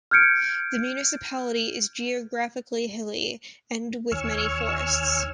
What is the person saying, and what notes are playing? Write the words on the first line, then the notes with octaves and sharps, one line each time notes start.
The municipality is geographically hilly and with many forests.
F6 G6 G#6 C#7 D7
D#2 C#5 G#5 C#6 E6 F6